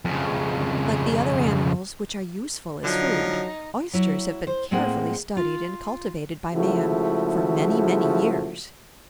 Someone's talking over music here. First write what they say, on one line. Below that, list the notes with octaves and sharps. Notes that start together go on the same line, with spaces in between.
Like the other animals which are useful as food, Oysters have been carefully studied and cultivated by man for many, many years.
F2 C#3
D3 F3 F#3 D#4
F#3 E4
C5
A2 G#3 A#3 C4 G#4 F#5
F4
C#3 F3 G#3 A3 E4 F#4